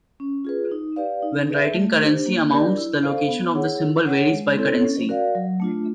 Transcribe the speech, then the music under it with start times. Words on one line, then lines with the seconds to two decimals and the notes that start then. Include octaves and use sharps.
When writing currency amounts the location of the symbol varies by currency.
0.20 C#4
0.45 F4 G#4 B4
0.72 D#4
0.96 G4 B4 D5 F5
1.22 D#4
1.49 G#4 B4 E5
1.74 A3
2.00 D4 G4 C5
2.26 A#3
2.52 D4 G4 A#4 D5
2.78 E4
3.03 A4 C5 F5
3.28 B3
3.54 E4 G#4 C#5 F#5
3.80 E4
4.05 G#4 C#5 F#5
4.32 G#3
4.57 C4 E4 A4 C#5
4.83 C#4
5.09 F#4 A#4 D5 F5
5.35 F#3
5.60 A3 D4 F4